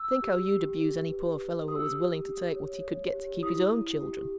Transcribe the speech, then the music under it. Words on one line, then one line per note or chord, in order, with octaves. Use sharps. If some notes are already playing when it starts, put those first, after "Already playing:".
Think how you'd abuse any poor fellow who was willing to take what he could get to keep his own children.
Already playing: E6
G4
G4
G4
B4
G4
G4 D#6
E6
D#6
G4
G4
C#5
C#5
G4
E4 D#6
E4
G4